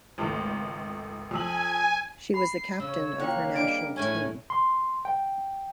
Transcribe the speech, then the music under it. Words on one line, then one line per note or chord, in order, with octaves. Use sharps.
She was the captain of her national team.
G#1 C#2 A3
F2 G#5 E6 F#7
B5 C7
C#3 C#5 E6
A#3 C#4 F4 C#5 G5 F#6
G3 D4 D5 D#5 D7
A2 A3 C#4 G#5
C6
G5